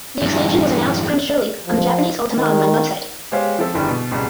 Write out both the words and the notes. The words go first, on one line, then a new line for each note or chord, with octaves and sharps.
The expansion was announced prematurely on the Japanese Ultima Online website.
E2 G2
F3
D#3
G#3 B3 G4 C5 C#5 F5
F3 C4 E4 A4
G1 E2 D3 D#3 G3 G5
B2
G#1 C#2 B2 G3